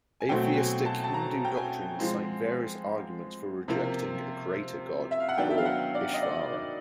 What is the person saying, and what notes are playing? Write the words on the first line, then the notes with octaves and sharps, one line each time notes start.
Atheistic Hindu doctrines cite various arguments for rejecting a creator God or "Ishvara".
G#5
B2 F#3 A3 C4 G5
G#5
A5
A5
A#5
G5
G#5
F3 G#3 C4
C3 F3 A#3
E5
F5
F#5
D#3 F#3 B3 D4 G5
E5
F5
F#5
D5
D#5
D5